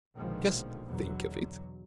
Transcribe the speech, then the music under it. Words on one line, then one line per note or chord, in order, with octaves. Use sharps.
Just think of it!
A#1 B2 D3 D#3 F3 G#3
E2 B2 D3 F#3